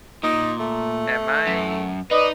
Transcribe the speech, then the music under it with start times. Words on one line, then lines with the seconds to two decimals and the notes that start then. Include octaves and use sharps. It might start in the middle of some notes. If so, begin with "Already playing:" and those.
am I
0.24 A#2 D#4
0.60 A3
1.47 F#2
2.11 D#4 B4 D5 D#5